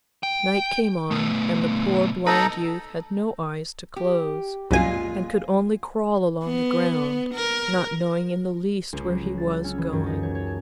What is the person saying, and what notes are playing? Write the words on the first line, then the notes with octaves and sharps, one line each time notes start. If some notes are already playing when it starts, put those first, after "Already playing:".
Night came on, and the poor blind youth had no eyes to close, and could only crawl along the ground, not knowing in the least where he was going.
G5
B2 A3
D#4 A4 B4 D#5 A#5
G4
C2 F#2 A#2 G#3 F4 G#5
B3
A#4
C#2
F#3
F#3
A6
E6
C#4
E3
F#2
D#4
C#5
C#5
A5